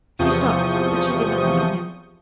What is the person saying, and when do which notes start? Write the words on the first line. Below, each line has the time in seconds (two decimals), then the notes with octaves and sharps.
She stopped, but she did not look at him.
0.19 E2 C3 F3 C#6 D#6 G6